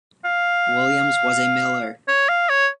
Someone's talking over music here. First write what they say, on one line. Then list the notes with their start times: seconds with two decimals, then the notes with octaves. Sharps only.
Williams was a miller.
0.25 F5
2.08 C#5
2.29 F5
2.49 C#5